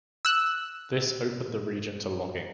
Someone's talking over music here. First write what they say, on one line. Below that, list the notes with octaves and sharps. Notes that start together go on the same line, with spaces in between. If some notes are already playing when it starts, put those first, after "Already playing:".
This opened the region to logging.
E6 F#6